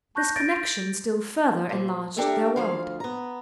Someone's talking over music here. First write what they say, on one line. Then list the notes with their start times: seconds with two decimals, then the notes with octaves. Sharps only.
This connection still further enlarged their world.
0.15 A5 C#6 F#6 G6 A#6
0.35 G6 A6 A#6 D7
1.69 A#2 F3
2.16 D4 G4 A4 A#4 E5 F5
2.56 D2 F3 F5
3.00 B3 A#5